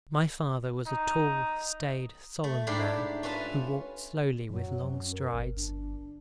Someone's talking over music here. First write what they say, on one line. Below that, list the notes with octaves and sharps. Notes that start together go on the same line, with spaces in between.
My father was a tall, staid, solemn man, who walked slowly with long strides.
D#4
A3
G#2 D4 E4 G4 A4 B5
C#4 F4 B4 E5 A5
F#2 F#3
C#4
A#4
G1
D4